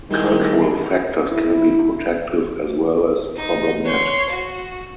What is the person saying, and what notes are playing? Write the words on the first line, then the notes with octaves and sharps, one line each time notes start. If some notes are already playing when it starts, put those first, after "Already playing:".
Cultural factors can be protective as well as problematic.
D#3 G3 G#3 E4 G#4
E4
D#4
C#5 C6
F#4